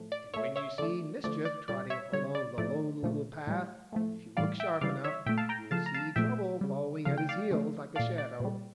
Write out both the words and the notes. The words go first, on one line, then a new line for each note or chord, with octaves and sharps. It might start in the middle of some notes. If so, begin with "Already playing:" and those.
And when you see Mischief trotting along the Lone Little Path, if you look sharp enough, you'll see Trouble following at his heels like a shadow.
Already playing: A2 F3 A3
D5
A#2 A3 C#5 E5
C#5 E5
D3 A3 D5
D3 F3 A3 D5
D5
A#2 G3 D5
C#5 E5
D3 G3 C#5
D5
A2 F3 A3 D5
A#2 F3 A3
A2 G3
A2 F3 A3
A2 E3 G3 D5 F5
E5 G5
C#3 E3 G3 D5 F5
C#5 E5
A#2 A3 E5 G5
F5 A5
G5 A#5
C#3 F3 A3 F5 A5
A#5
F5 A5
A#2 F3 A3 E5 G5
C#3 G3
C#3 F3 A3 F5
G5
D5 F5
C#3 F3 A3
A#2 A3 D5 F5
D5
A#2 G3